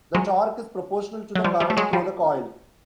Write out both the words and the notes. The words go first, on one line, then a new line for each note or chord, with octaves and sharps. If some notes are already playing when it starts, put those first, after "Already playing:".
The torque is proportional to the current through the coil.
F#3 G#3
F#3
F3 G3
F3 G3
A3
F#3 G#3
F3 G3